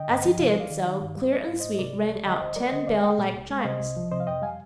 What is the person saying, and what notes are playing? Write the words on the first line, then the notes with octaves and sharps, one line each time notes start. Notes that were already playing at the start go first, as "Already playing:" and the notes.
As he did so, clear and sweet, rang out ten bell-like chimes.
Already playing: D3 D#5 G5
G2
F3
C3 F5
D#5
D2
D5 F5
D#3
D#3
G2
G3
G3 D#5
G#2 F5
G#2 C5 D#5
D#5
C3 A#4 D5
C2
G3
D3 D#5 G5
D2 C5 D#5
G3 A#4 D5
D3 C5 D#5
D2 D5 F5
G#3 D#5 G5
A#2
C2
G#3
F5
C3 C5 D#5
C2
F3
C3 C5 D#5
F5
F2 D#5 G5
G3 F5 G#5